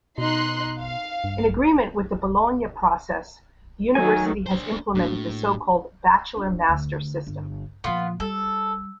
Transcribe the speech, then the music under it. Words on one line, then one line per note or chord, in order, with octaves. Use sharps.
In agreement with the Bologna process, the university has implemented the so-called bachelor-master system.
B2 D#4 C6 F#6
F5
G2
D#3 F#3 A3 G#5
D4 C5
A2 A#3 D4 F#4
D4 F4
D2
G1
A#2 F3 B3 F4
G3 A4